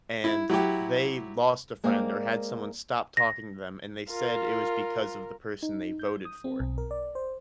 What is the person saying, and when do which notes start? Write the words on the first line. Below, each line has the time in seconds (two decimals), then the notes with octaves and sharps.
and they lost a friend or had someone stop talking to them. And they said it was because of the person they voted for.
0.24 E4
0.50 F#3 E4 F#4 G4
1.84 G#3 A#3 C4 A#4 D5 F5
3.17 A#6
4.11 F4 A#4
5.63 D#4
5.99 G6
6.25 D#6
6.44 C4
6.60 B1
6.78 A#4
6.91 D5
7.15 C5